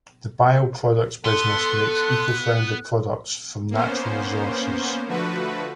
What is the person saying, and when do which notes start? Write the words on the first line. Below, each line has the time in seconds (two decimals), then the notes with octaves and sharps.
The bio-products business makes eco-friendly products from natural resources.
1.25 B3 A4 C6 F#6
3.71 A#3 B3 C#4 C5
5.07 D3 F3 A3 F#4 B4